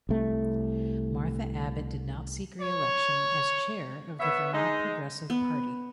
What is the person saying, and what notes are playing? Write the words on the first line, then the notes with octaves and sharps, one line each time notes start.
Martha Abbott did not seek reelection as chair of the Vermont Progressive Party.
C2 A3
C#5
B3 B4 C#5 E5
G#3 D#4
B3